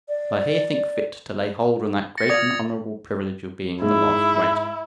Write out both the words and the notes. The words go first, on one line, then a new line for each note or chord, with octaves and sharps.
But I here think fit to lay hold on that great and honourable privilege of being the last writer.
D5
A6 A#6 C#7
F4 D5 D#6 G#6 F7
G#2 E4